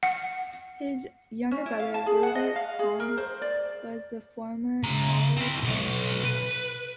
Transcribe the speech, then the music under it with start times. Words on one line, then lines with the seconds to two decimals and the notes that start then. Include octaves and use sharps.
His younger brother, Rupert Hughes, was the famed novelist and screenwriter.
0.03 F#5
1.51 C#4
1.66 E4
1.80 F5
1.94 A5
2.06 G#4
2.23 F#5
2.35 D#5
2.56 F5
2.79 G#4
3.00 A#4
3.18 C5
3.42 D5
4.83 C#3 A#5
5.37 C4 E4
5.63 B1
6.24 B4